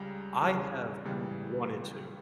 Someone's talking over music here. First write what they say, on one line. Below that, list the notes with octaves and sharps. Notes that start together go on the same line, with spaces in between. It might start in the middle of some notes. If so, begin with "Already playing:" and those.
I have wanted to.
Already playing: C#2 C#3 G3 A#5
E2 C#3 G3
C#2 C#3 E3 G3